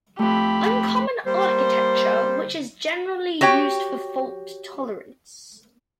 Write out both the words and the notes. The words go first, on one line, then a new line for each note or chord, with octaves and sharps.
Uncommon architecture which is generally used for fault tolerance.
F2 A3 G4 B5
G3 A#3 C5
F#4 G4 C#5 G5